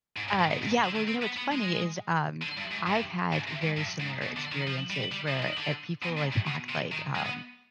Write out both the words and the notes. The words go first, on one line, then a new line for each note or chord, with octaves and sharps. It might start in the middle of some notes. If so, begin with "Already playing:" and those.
Uh, yeah, well, you know what's funny is, um, I've had very similar experiences where, uh, people, like, act like, um,
G#2
G2
G#2
B2
G#2
D3
D#3
C4
B3
B3
G#3
D3
G2
G#2
G2
G#2
C3
G#2
G2
G#2
B2
D3
D#3
F3
G3
G3
F3
D#3
D3
B2
G#2
G2
B2
C3
D#3
G#3
B3